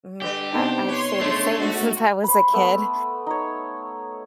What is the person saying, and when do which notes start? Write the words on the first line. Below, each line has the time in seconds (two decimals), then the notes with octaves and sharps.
mhm, I I've stayed the same since I was a kid,
0.22 D3 G3 G4 B4
0.53 C3 B3 D4 D#4 C5
0.88 B4 C#5 C6
1.21 C#3 A3 D4
1.60 G#2 D4 F#4
2.24 C5 B5
2.53 A3 B3
3.27 D#4 C#5